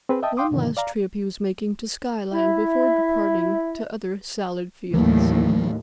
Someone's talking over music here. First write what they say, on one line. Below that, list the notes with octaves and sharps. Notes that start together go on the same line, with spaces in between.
One last trip he was making to Skyland before departing to other salad fields.
C4 G#4 B4
D#5 E5 G5 A5 D#6
F5 G5 C6 D6 D#6
G2 B2 D3 D#3 F3
D5 F5 A#5
E4 E5
D#2 A2 E3 F#3 A#3